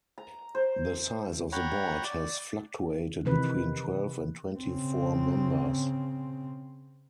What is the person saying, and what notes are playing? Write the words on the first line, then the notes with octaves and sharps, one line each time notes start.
The size of the board has fluctuated between twelve and twenty-four members.
A#5
C5
C#5 F#5 G5 A#5 B5
D5
C3 D#3 E3 B4
C#3 C4